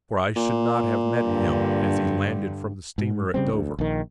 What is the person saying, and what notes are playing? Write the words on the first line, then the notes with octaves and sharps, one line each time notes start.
For I should not have met him as he landed from the steamer at Dover.
A#2
G2 D3
G#2
C#3 G3 C4
D2
A#1 D#3